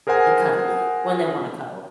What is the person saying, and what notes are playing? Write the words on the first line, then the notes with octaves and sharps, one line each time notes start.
and cuddly when they wanna cuddle.
G#4 A#4 C5 F#5 G#5